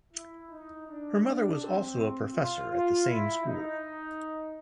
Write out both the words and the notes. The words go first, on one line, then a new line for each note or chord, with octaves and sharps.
Her mother was also a professor at the same school.
E4
D#4
D4
D4
C4
F4
F4
E4
D#4